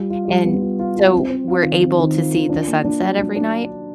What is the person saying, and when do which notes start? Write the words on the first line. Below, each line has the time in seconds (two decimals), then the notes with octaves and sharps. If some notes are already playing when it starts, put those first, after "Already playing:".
and so we're able to see the sunset every night.
Already playing: G3 F4
0.10 F4
0.28 G3
0.44 B3
0.62 F4
0.79 F4
0.96 F4
1.13 C4
1.30 C4
1.48 F4
1.64 D#3
1.82 C4
1.99 D#3
2.15 F4
2.33 F4
2.49 D4
2.67 A#3
2.84 D4
3.02 F#3
3.19 D4
3.36 D4